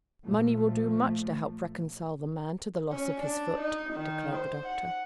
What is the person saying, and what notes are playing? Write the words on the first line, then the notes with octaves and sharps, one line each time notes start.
"Money will do much to help reconcile the man to the loss of his foot," declared the doctor.
A#2 F3 A3
C#4
D4
D#4
D#3
C5
F#5